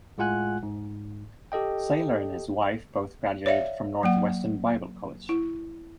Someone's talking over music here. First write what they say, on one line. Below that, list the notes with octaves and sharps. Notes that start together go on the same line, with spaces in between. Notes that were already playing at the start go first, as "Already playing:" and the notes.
Sailer and his wife both graduated from Northwestern Bible College.
A2 G#3 F4 F#5 G#5 F#6
G#2
G4 A4 D#5 G5
C#5 D5 E5 F5
F#3 A#3 F#5
E4